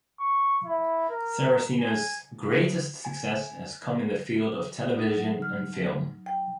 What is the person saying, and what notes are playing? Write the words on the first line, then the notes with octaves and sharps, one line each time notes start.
Saraceno's greatest success has come in the field of television and film.
C#6
E4
A#4
G#5
G#5
D#4
F#3
F6
G5